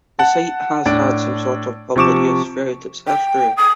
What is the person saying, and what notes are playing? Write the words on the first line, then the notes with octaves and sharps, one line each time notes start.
The site has had some sort of public use throughout its history.
F#5 A5
A2 D4 D7
C3 F3 C#6 D6 E7
G5
D#6